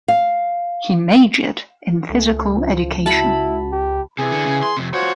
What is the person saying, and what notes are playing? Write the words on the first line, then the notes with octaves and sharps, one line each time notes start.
He majored in physical education.
F5
C#2 A3
F3
E4 F#4 A5 B5
G4
C3 E3 G#4
D3
C#3
C6
F2 C3
F4 F#4 C5 C#5